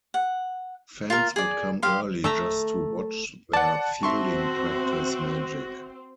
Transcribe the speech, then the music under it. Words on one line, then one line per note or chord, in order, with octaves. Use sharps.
Fans would come early just to watch their fielding-practice magic.
F#5
F4 A#4
G#4 D5
G4 F5 C6
A3 E5 A#5
D5 F#5 A5
C4 F#4 C5 E5 C6 C#6